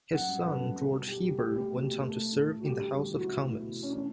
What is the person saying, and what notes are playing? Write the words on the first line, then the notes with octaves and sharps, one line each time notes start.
His son George Heber went on to serve in the House of Commons.
F#2 F#5
G3
B4
F#2 A4
G3
G3
B2
B2 G4
G3
B2 G4
A3
B2 G4
A3
A3 A4
A3
A2
A2
F#4
G3 G4
D3
G3
E2
F#4
B2 E4
A3
B2
B2
C#4
A3 D4